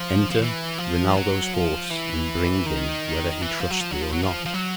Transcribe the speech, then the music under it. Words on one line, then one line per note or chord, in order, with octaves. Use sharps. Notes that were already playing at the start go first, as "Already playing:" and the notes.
"Enter Rinaldo's horse, and bring him, whether he trust thee or not."
Already playing: F3
F3
E3
F3
F#3
F3
E3
D#3
E3
F3
F#3
F3
F#3
F3
F#3
F3
F3
F#3